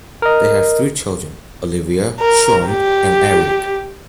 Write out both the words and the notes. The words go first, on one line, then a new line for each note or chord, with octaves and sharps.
They have three children, Olivia, Sean and Eric.
A#4 D#5
A#4
G4